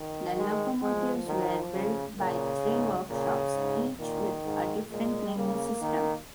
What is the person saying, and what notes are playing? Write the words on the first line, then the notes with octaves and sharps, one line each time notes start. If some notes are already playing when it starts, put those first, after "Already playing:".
The locomotives were built by three workshops, each with a different naming system.
Already playing: D#3
G#3
F3 G#3
D#3
C#3
A#2 C#3
G#2
A#2 C#3
G#2
A#2 D#3
G#2
A#2 G#3
C#3 A#3
D#3